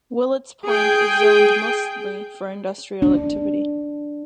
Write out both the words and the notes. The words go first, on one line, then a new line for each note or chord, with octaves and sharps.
Willets Point is zoned mostly for industrial activity.
G#4 G5
D4